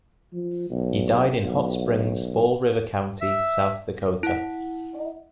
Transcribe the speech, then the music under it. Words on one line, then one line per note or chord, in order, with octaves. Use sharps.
He died in Hot Springs, Fall River County, South Dakota.
F3
B1
B1
E5
E4 F#5